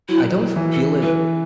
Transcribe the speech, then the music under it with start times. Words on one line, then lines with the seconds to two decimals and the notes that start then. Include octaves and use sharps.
I don't feel it
0.08 F#3 E4
0.56 E3
0.72 A4
1.02 E3 B4